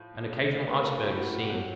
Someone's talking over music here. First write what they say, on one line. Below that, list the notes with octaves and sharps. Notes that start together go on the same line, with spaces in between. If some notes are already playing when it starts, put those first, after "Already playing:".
An occasional iceberg is seen.
Already playing: A2 F3
B4
A#4
A4
G4
F#4
F#4
G4
B2 F#3 F#4